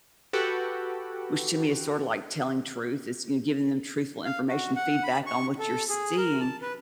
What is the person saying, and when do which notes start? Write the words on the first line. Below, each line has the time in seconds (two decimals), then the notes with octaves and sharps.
which to me is sorta like telling truth is you giving them truthful information feedback on what you're seeing,
0.33 F#4 G4 A4 B4
4.25 F5
4.48 F#4
4.76 F#5
5.04 B5
5.26 C#6
5.59 A4
5.89 G#4
6.17 A#4
6.40 A5
6.62 B4